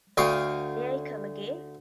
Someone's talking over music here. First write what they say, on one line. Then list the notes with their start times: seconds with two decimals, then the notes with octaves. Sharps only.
May I come again?
0.17 D2 F5 G5 C#6 D#6